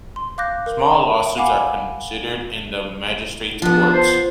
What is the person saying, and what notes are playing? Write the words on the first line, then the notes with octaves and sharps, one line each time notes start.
Small lawsuits are considered in the Magistrates' Courts.
C6
F5 D6 F#6 G6 A#6
A#4
F5 F#5 G#5 B5 D6
F3 B3 D4
C5